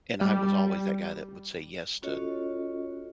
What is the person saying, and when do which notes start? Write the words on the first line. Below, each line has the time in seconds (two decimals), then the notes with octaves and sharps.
And I was always that guy that would say yes to,
0.21 G3
2.02 C#4 F4 F#4 A4 C#5 D#5